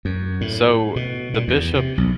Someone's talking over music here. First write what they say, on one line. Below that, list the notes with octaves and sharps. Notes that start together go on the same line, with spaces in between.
so, the Bishop,
F#2
A2
B2
A#2
E2
C3
B1